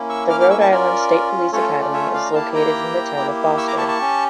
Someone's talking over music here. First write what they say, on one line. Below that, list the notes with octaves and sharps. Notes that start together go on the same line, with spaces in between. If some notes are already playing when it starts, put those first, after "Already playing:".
The Rhode Island State Police Academy is located in the town of Foster.
Already playing: A#3 C#4 E4
C#6 E6
D6 F6
D6 F6
C#6 E6
A5 C#6
C#4 F4 A#4 D5
A3 C#4 F4 A4 C#5
C#5
D5
C#5 E5
D5 F5
A#5
A#3 E4 G4 F5 A5
G5 A#5
A#3 E4 G4
C#6 E6
A#5 D6
A5 C#6
A5 C#6
C#4 G4